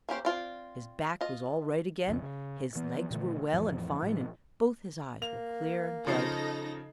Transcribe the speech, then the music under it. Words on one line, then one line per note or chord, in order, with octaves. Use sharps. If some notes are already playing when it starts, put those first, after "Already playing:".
His back was all right again; his legs were well and fine; and both his eyes were clear and bright.
A#3 C#4 G4 C5
C4 F4 D5
F4 D#5
B1 F2 C#3
C#3
E3 B3
A#2 D3 E3 A3
F2 A2 E3 F3
A2 F3
A#3 F7
C#3 F3 D#4 A4 A#6 C7